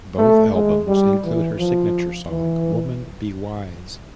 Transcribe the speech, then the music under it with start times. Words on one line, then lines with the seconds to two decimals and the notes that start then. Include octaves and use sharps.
Both albums include her signature song, "Women Be Wise".
0.19 A3
0.54 G#3
0.88 G3
1.24 E3
1.59 F3
2.30 E3